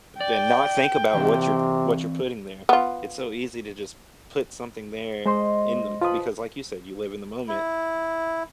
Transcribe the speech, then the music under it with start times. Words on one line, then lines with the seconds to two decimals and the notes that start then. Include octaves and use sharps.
then not think about what you're p what you're putting there, it's so easy to just put something there in the c because like you said, you live in the moment,
0.21 D5 G5
1.15 C3 E3 C4
2.69 B3 F4
5.26 G#3 C5 D#5 C6
6.01 F3 F4 B4 B5 D#6
7.48 E4